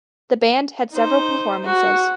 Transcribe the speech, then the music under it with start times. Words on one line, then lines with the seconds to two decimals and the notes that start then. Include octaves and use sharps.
The band had several performances.
0.92 D#4 C5
1.66 F#4